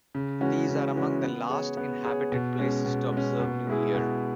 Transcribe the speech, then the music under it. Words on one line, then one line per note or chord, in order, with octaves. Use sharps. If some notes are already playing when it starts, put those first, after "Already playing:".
These are among the last inhabited places to observe New Year.
C#3
E3 G#3 C#4 F#4
C#3
E3 G#3 C#4 F#4
B3
G#4 C#5
B3
G#4 C#5
B2
G#3 C#4
B2
G#3 C#4
B2
G#3 E4 G#4
B2